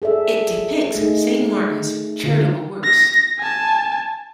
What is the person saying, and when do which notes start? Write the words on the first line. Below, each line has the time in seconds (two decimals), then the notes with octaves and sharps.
It depicts Saint Martin's charitable works.
0.02 G#4 A4 D5 E5
0.95 A3 D#4 G#4
2.24 D3 F4
2.84 A#6
3.39 G#5 A5